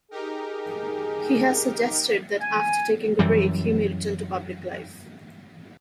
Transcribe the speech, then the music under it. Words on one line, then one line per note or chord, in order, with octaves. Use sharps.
He has suggested that after taking a break, he may return to public life.
D#4 G4 G#4 A#4
G#5
F#2 E3 G3